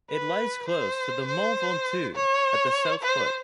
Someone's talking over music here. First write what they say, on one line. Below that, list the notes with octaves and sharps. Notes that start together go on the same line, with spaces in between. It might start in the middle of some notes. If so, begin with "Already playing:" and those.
It lies close to the Mont Ventoux, at the south foot.
B4
C5
C5
C#5
C5